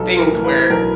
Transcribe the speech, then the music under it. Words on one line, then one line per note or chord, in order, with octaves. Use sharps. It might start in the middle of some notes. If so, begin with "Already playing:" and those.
things where
Already playing: B1 A4
A#4
A2 E3
B4
B1 A#4